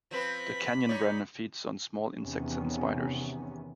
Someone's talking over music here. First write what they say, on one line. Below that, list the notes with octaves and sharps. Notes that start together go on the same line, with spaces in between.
The canyon wren feeds on small insects and spiders.
F3 C4 B4 B5
D#4 C#5 D5
E2 C3 D#3 B3 C#4